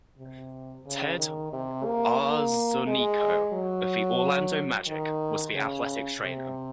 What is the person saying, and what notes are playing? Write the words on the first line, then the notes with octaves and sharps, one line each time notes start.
Ted Arzonico of the Orlando Magic was the athletic trainer.
C3
C#3
D#3
C3
A#3
A#3
G#3
F#3
D#3
C#3
C3